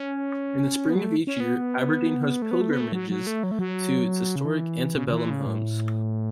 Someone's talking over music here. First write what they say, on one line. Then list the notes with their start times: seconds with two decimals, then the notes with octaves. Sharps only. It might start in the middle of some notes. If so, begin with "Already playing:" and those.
In the spring of each year, Aberdeen hosts pilgrimages to its historic antebellum homes.
Already playing: C#4
0.90 B3
0.96 F#3
1.02 A3
1.27 C#4
1.40 B3
2.42 A3
2.51 B3
2.61 A3
2.70 B3
2.80 A3
2.92 F#3
3.10 F#3
3.27 A3
3.43 F#3
3.51 A3
3.59 F#3
4.36 C#3
4.45 E3
4.95 C#3
5.08 C#3
5.13 E3
5.30 C#3
5.47 A2